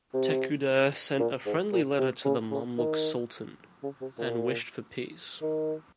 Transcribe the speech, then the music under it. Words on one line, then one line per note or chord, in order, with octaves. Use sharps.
Tekuder sent a friendly letter to the Mamluk sultan and wished for peace.
C3
A#2
G#2
A#2
C3
C#3
C#3
D#3
C#3
C3
A#2
D#3